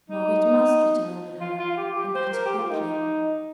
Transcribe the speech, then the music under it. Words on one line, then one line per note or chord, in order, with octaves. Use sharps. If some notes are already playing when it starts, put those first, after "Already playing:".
Margaret must return with her, and that quickly.
D#4
F4
F4
G4
G4
C5
A#4
G4
F4
D#4